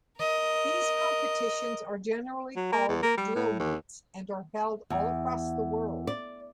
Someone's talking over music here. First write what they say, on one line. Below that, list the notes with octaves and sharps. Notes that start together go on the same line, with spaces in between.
These competitions are generally called "drill meets", and are held all across the world.
A#4 D#5
F#3
A#3
E2
A#3
G3
A2
D#2
E2
D5